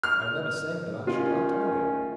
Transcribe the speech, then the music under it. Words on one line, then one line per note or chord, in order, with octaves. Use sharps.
I remember saying that I should like to know him.
F6
D#3 A3 C#4 F4